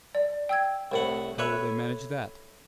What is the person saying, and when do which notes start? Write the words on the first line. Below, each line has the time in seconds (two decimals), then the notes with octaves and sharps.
"How will they manage that?"
0.15 D5
0.49 G5 E6 G#6
0.92 C2 A2 F#5
1.38 A4 B4 C#5 E5 F#6